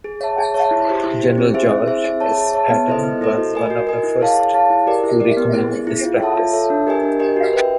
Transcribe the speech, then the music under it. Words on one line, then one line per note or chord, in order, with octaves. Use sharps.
General George S. Patton was one of the first to recommend this practice.
G#4
C#5 E5 A5
G#4
C#5 E5 A5
E4
G4 C5
E4
G4 C5
C4
E4 G#4 C5 E5
C4
E4 G#4 C5 E5
G#4
C#5 E5 A5
G#4
C#5 E5 A5
B3
E4 A4 C5 D#5
B3
E4 A4 C5 D#5
F#4
A#4 D#5 G#5
F#4
A#4 D#5 G#5
E4
G#4 C#5 F5 A5
E4
G#4 C#5 F5 A5
E4
G4 A#4 D5
E4
G4 A#4 D5
B3
E4 G#4
B3
E4 G#4
F4
A4 C#5 E5 A5
F4
A4 C#5 E5 A5
D4
G4 A#4 D#5 G#5
D4
G4 A#4 D#5 G#5
F#4
B4 E5 G5